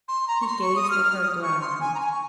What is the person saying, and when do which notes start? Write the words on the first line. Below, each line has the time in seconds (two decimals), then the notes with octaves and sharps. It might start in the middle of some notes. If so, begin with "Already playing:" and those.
He gazed at her, glowering.
0.08 C6
0.28 A#5
0.41 C#6
0.47 C6
0.62 C#6
0.76 D#6
0.90 F6
1.04 F6
1.23 D#6
1.42 C#6
1.61 C6
1.80 G#5
1.95 A#5
2.00 G#5
2.12 C#6